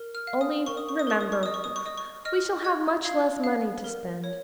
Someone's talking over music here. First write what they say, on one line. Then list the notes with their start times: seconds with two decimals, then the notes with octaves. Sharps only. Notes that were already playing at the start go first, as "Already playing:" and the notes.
Only remember, we shall have much less money to spend.'
Already playing: A#4
0.15 F6
0.27 F5
0.41 D#6
0.66 A#4 C#6
0.77 D#6
0.89 C#6
0.99 D#6
1.07 A#4 C#6
1.21 D#6
1.32 C#6
1.43 D#5 D#6
1.54 C#6
1.64 D#6
1.76 C#6
1.86 D#5 D#6
1.98 C#6
2.25 D#5 F6
2.64 D#5 G#6
3.04 F5 G#6
3.44 F5
3.84 A#4
4.24 C#5